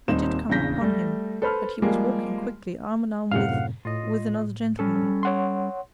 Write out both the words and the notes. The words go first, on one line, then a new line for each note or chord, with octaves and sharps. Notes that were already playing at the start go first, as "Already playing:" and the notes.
I did come upon him, but he was walking quickly, arm-in-arm with--with another gentleman.
D#1 G3 C4 D#4 E7
A#1 E2 C#3 G6 A#6 B6
G3 A3
A4 B4 C5 A5 B5 F6
F3 G3 G#3 A#3 G4
F#2 A2 C3 F5 F#5
A2 F4 D#5
G3 C#4 A4
C#5 F#5 C6